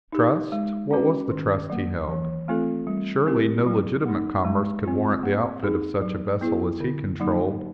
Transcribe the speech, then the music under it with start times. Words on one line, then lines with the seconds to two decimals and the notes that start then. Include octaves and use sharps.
Trust?--what was the trust he held? Surely, no legitimate commerce could warrant the outfit of such a vessel as he controlled.
0.12 D#4 G4
0.52 G#3
0.91 C#4 F#4 B4
1.31 D#3
1.70 F#3 A#3
2.08 E3
2.48 A3 C4 F4 A4
2.87 G3
3.26 C4 E4 G4 A#4
3.66 F#3
4.06 A#3 D#4
4.45 G#3
4.84 C4 F4
5.23 A#3
5.63 D#4 G#4
6.02 F#3
6.41 B3 E4 G#4
6.80 D3
7.20 F#3 A#3 D#4